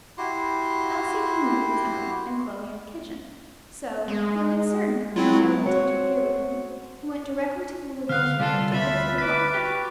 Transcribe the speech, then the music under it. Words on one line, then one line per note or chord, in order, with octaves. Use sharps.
Elsie, he knew, was out, and Chloe in the kitchen; so, feeling certain there would be no one to interfere with him, he went directly to the little girl's room to look for the book.
E4 F#4 G4 C6
G#3
F#3 C4 E4 F4
C4 F#4 C#5
D3 F5 F6 F#6
C3 G3 F4 A4
D2 F4 E5 B5 A6
B4 B5 D6
F#4 G4